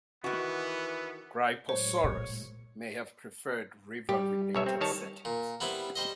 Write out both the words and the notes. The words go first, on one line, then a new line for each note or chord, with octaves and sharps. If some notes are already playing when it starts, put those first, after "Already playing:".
"Gryposaurus" may have preferred river-related settings.
D#3 E3 B3 F#4
A2 F#3 G#3 C5 C#5
A#2
G3 G4
B1 C#5 E5
C4
D#3 C#5 A5
A#2
G3 B3 C4 E4
G3 C5 D#5